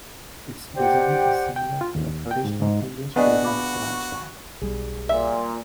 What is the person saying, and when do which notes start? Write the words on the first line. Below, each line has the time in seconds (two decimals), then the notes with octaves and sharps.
Its design is similar to a traditional English stadium grandstand.
0.75 G4 C5 D5 F#5 G5
1.56 G5
1.81 F4
1.95 D#2
2.31 G5
2.45 G#2
2.62 G#2
3.16 B3 D4 F#4 G#4 D5 D#5 F5
3.44 F5 B5 D6
4.62 B1 G3 G#4
5.09 A#2 E5